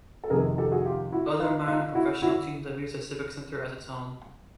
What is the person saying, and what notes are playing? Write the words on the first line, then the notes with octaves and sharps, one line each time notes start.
Other minor professional teams have used the Civic Center as its home.
A4
F2 C3 D#3 G#4 A#4
G4 A4
F#4 G#4
F4 G4
E4 F#4
D#4 F4
D#4 F4
E4 F#4
E4 F#4